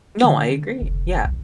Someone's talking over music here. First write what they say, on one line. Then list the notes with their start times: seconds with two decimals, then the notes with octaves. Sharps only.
No, I agree, yeah.
0.23 D3
0.82 F1
1.25 B1